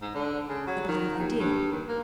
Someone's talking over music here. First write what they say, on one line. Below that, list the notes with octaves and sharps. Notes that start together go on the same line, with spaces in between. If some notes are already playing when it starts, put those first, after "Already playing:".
"I believe I did."
G#2
D3
C#3
F#3
D#3
D#2
G2
D#2
A#3